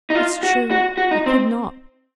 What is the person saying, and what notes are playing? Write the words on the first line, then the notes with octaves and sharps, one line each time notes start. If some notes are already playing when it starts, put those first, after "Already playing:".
"That's true; I could not!"
D#4
F4
F#4
F#4
F#4
D#4
C4